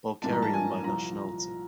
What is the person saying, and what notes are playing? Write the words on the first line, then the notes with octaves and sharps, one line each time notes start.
Balkarian by nationality.
A#1 G#2 E3 G3 A#3 A5
A#5
A5
G#5
C2 A#2 F3 A#5